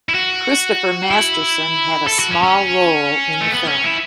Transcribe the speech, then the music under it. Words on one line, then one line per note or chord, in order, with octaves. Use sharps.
Christopher Masterson had a small role in the film.
E4
F#4
E4
A4
F#4
C#4
C#4
A3
B3
C#4
E4